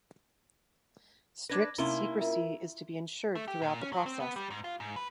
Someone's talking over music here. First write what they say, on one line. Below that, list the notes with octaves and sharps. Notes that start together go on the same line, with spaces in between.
Strict secrecy is to be ensured throughout the process.
D4 B4 D6 G#6 A#6
C3 A#3 C#4 D#4 E4 C6 G7
F4 A#4 E5
A3
G4
A#2
C#4
F#3
C4
B3
G3
G#2
F4
G#2
B4